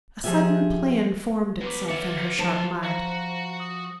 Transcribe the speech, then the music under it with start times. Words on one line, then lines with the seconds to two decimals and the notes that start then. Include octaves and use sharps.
A sudden plan formed itself in her sharp mind.
0.24 F3 G3 G4 G#4 E5
1.62 F#3 B3 B4 D6
1.89 F4 C#5 E5 F#5
2.38 F3 A5
2.84 F#4 C5 F5 A#5
3.60 D#6